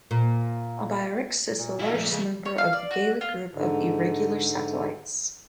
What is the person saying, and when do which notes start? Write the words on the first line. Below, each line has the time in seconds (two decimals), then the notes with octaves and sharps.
Albiorix is the largest member of the Gallic group of irregular satellites.
0.11 A#2
1.57 A#2
1.79 E4 F#4 E5 F5
1.94 F3 A3
2.10 C#3 G#3
2.45 C#5
2.58 F5
2.73 D5
2.91 F#4
3.21 F4
3.53 G#2 D3